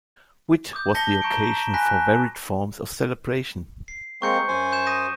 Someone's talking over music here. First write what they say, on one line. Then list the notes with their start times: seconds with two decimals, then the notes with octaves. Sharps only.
Whit was the occasion for varied forms of celebration.
0.73 D6 D#6 G6
0.94 A5 G6 A#6 B6 C#7 G7
1.21 A#5 C#6 G6 C#7 D7
1.44 B6 E7
1.74 G#5 B5 F#6 A#6 B6
3.88 C7
4.22 G#3 A#3 C4 C#6 G6 C#7
4.48 F#2 C5 G#5
4.73 G6 E7
4.87 D#6 A#6 D#7